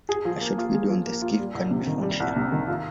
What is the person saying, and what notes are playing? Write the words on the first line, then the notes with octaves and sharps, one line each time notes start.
A short video on the skiff can be found here.
G#4
F3
A#3
F4
G#4
F3
A#3
F4
G3
C2
C3
D#3
G3
C2
C3
D#3
F4